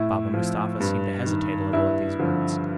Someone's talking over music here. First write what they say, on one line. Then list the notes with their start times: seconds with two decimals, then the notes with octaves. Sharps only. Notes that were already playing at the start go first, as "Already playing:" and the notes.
Baba Mustapha seemed to hesitate a little at these words.
Already playing: A2 E4
0.34 F3
0.80 G2
1.27 D#3
1.73 G2 E4
2.19 D3 F3